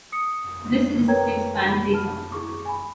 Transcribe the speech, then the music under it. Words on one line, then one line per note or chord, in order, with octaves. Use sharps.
This is his Pantheism.
D#6 C#7
A#4 B4 C#5 G5 A#5 G#6
B5
A5 B5 F6
E4 G#4 C#6 D6
G#5 B5